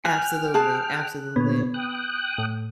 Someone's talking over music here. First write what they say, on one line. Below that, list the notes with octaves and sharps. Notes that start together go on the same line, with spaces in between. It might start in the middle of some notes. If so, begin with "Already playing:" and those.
Absolutely. Absolutely.
G5 G#5 F6 F#6
G#4 A5 F#6
A#2 D3 B3 C#5
G5 D#6 F#6
A2